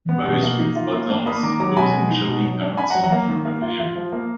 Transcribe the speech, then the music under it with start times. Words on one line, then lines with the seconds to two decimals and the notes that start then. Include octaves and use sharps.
Boys with bottles pose in shopping carts in urban area.
0.09 B3
0.26 B2
0.43 A#3
0.59 D#4
0.75 F4
0.93 A#3
1.10 D4
1.26 A#3 B5 D#6
1.43 D#3 A#5 D6
1.60 F#3 A#5 D6
1.76 B2 G#5 B5
1.94 G#3
2.11 D#4
2.28 B2
2.45 F#3
2.61 D4
2.77 D4 G#5 B5
2.90 F#5 A#5
2.95 F#3
3.04 F#5 A#5
3.12 A#3
3.28 D#3
3.45 A#3
3.62 F4
3.80 F4
3.96 F3
4.12 A#3